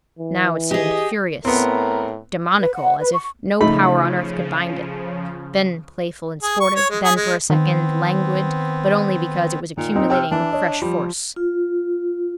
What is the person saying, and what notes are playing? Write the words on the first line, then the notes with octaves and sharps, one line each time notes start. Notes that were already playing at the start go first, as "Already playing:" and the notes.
Now it seemed furious, demoniacal, as if no power on earth could bind it, then playful and sportive; then for a second languid, but only because it was accumulating fresh force.
E3
G4 G#4 D#5
A2 B3 C4 A#4
B4
F#5
B4
C#6
C#3 F3 A3 D#4 B5
G#4
C#6
C#5
G#3
G#4
G#3
D#3 B3 C4
A#2 D#3
C4 D#4
C3 G5 E6 F6
E3 D4
C#5 D#5
F3 G3
F4